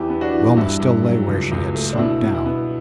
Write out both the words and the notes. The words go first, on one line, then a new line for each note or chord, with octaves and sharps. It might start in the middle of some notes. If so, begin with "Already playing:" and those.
Wilma still lay where she had slumped down.
Already playing: E2 E4 G4
B3
D4 F#4
E3
G2 E4
G2
F#3
C#2
C#2
A3
D4
B2 E4
B2
E4
B3